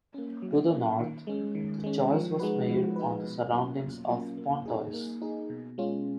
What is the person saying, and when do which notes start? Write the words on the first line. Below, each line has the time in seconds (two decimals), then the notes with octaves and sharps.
To the north, the choice was made on the surroundings of Pontoise.
0.14 A#3 C#4
0.42 F#3
0.71 A#3 C#4
0.99 D#3
1.27 G#3 C#4
1.55 D#3
1.84 G#3 C#4
2.12 F3
2.40 G#3 D#4 F#4 B4
2.68 F3
2.96 G#3 D#4 F#4 B4
3.24 B2
3.52 F#3 A#3 C#4 F4
3.81 B2
4.09 F#3 A#3 C#4 F4
4.37 A#3
4.65 D#4 G#4
4.93 A#3
5.22 D#4 G#4
5.50 B2
5.78 G#3 C#4 F4